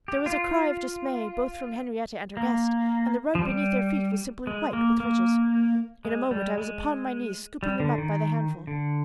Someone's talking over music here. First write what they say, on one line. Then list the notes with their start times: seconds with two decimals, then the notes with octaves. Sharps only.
There was a cry of dismay both from Henriette and her guest, and the rug beneath their feet was simply white with riches. In a moment I was upon my knees scooping them up by the handful.
0.08 G4
0.26 F4
2.37 A#3
3.35 F3
3.42 G3
4.47 G#3
4.73 A#3
5.00 A#3
6.05 G#3
6.31 G3
6.58 G#3
7.63 G3
7.80 D3
7.98 D#3
8.67 D3